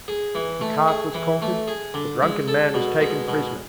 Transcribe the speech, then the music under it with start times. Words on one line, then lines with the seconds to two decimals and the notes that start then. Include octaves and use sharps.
The cart was conquered, the drunken man was taken prisoner.
0.08 G#4
0.35 E3
0.61 A3
0.88 G#4
1.15 E3
1.42 A3
1.68 G#4
1.94 D3
2.22 G#3
2.48 A4
2.74 B2
3.01 G#3
3.28 B2